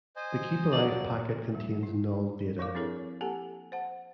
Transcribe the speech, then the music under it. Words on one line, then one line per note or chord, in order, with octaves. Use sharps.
The keepalive packet contains null data.
C5 D#5 G#5
D#2 F3 F#3 D5
G3
E4
F3 A#4 F5 D6
C4 D4 E4 G#4 A4 C#5
A#3 G4 A4 F#5 G#5 A5
C5 F#5 A5